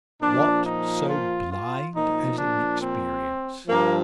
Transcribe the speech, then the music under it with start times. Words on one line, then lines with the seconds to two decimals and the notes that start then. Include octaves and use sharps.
What so blind as inexperience?
0.21 A#2 F3 D4
0.65 D#4
1.08 F4
1.51 F4
1.95 A#2 F3 D#4
2.38 D4
2.81 C4
3.68 G2 F3 A#3